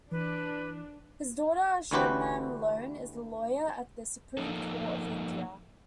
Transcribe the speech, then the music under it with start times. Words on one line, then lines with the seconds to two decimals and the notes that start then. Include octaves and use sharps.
His daughter Shabnam Lone is a lawyer at the Supreme Court of India.
0.11 E3 D4 B4
1.91 D2 D3 E3 F#4 G4 B4
4.37 F3 A#3 D#4 A4